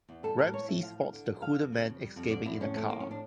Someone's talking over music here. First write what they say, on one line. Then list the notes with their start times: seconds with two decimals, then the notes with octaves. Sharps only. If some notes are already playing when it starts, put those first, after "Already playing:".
Ramsey spots the hooded man escaping in a car.
0.09 E2
0.23 G3 A4
0.38 A2 A#4
0.53 E3 C#5
0.68 A2 E5
0.83 F3 F5
0.98 E2
1.13 D3
1.27 E2
1.42 F3 F5
1.57 F2
1.72 C#3
1.87 F2
2.01 G3
2.16 F2
2.30 D3 D5
2.45 F2 E4
2.60 A2 C#4
2.75 F3 A3
2.83 C#4
2.90 F3 A#3
3.00 C#4
3.05 A2
3.11 D4